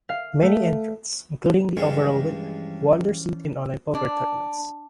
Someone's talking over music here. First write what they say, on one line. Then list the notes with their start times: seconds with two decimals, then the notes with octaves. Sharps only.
Many entrants, including the overall winner, won their seat in online poker tournaments.
0.09 F5
0.42 A3
1.77 G2 E3 F3 G#3 C#4
3.95 D4